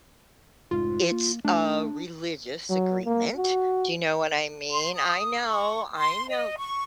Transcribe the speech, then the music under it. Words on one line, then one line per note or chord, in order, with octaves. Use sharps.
it's a religious agreement. Do you know what I mean? I know, I know
F1 G#2 F4
A#3
A3 D4
F#3
A#3
F#4
C6
D#6
C#6
C6
D#5
C#6